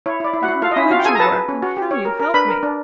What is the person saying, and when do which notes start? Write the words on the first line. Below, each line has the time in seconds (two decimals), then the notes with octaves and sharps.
And how good you were, and how you helped me!
0.06 E4 C#5
0.20 E4 D5
0.33 E4
0.43 F#4 F#5
0.48 E4
0.62 F4 A4 F5
0.71 D#5
0.76 C#4 E4 E5
0.90 F4 F#4 F5
0.99 G5
1.05 G#4 A4 G#5
1.15 A#5
1.19 A4 B4 A5
1.35 B4
1.49 C#4
1.63 F#4
1.77 G4
1.91 C#5
2.05 A#4
2.19 A#4
2.34 D4 B4 B5
2.48 A#4
2.63 D4